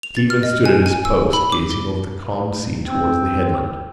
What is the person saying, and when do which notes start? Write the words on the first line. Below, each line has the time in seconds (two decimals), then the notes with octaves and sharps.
Stephen stood at his post, gazing over the calm sea towards the headland.
0.03 F7
0.17 A6
0.30 F6
0.43 D#5
0.65 G#5
0.86 G#5
1.05 E6
1.33 B5
1.52 D6
1.71 G7
2.84 C4